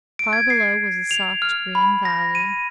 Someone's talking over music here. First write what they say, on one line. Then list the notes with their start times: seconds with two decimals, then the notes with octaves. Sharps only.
Far below was a soft, green valley.
0.19 D7
0.33 G#6
0.50 C7
1.11 F7
1.42 F6
1.75 B5
2.05 A#6
2.35 D#7